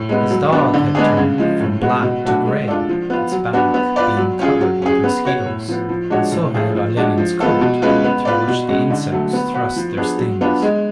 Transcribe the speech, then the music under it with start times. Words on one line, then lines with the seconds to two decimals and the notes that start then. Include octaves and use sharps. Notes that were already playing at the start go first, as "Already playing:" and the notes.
His dog had turned from black to grey, its back being covered with mosquitoes, and so had Olenin's coat through which the insects thrust their stings.
Already playing: A2
0.09 G#3 B3
0.30 F#3
0.52 B3 D4
0.74 D3
0.95 G#3 B3 D4 G#4
1.17 C#3
1.38 F3 G#3
1.60 A2
1.81 G#3 B3 F#4
2.03 B2
2.25 F#3 A3 D4 F#4
2.45 G#3
2.68 D4 F4 A4 D5
2.89 F3
3.10 B3 F4
3.31 F#3
3.53 B3 D4 F#4
3.74 B3
3.96 F4 B4 D5
4.17 F#3
4.39 C#4 F4 G#4
4.61 F#3
4.82 C#4 G#4
5.04 B3
5.25 F#4 C#5
5.46 A2
5.68 F3 B3
5.89 F3
6.10 G#3 D4 F#4 C#5
6.32 A2
6.54 F3 A3 F4 G#4
6.75 F3
6.97 G#3 D4 F#4
7.18 F3
7.40 G#3 B3 F4 A4
7.61 B2
7.82 G#3 C#4 F4 B4
8.04 B3
8.25 F4 B4 D5
8.48 B2
8.68 G#3 C#4 F#4
8.90 D3
9.12 F#3 A3
9.33 B3
9.54 F#4 B4
9.76 F3
9.97 B3 D4 G#4
10.18 F#3
10.41 B3 D4 F4
10.62 G#3